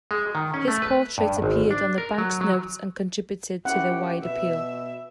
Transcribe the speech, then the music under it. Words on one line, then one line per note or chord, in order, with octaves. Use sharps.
His portrait appeared on the bank's notes and contributed to their wide appeal.
G#3
D#3
C#4
A3
B4
G2
G#1
D4
A#4
F#3
F#3
C#4 E4 G4 A#4 F#5
B2 B3 E5